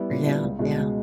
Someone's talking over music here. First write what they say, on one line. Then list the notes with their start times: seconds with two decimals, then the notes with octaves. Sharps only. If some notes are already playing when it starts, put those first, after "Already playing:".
Yeah, yeah.
Already playing: G3 B3 E4
0.09 A#2
0.25 G3 B3 E4
0.43 C#2
0.59 B2 G#3
0.77 C#2